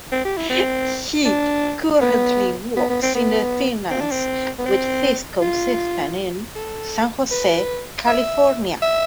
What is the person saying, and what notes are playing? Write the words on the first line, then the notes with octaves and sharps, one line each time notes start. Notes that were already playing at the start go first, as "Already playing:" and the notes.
He currently works in Finance, with Cisco systems in, San Jose, California.
C4
G4
E4
C4
D4
B3
B3
B3
C4
B3
C4
D4
C4
B3
C4
F4
A4
B4
E5
E5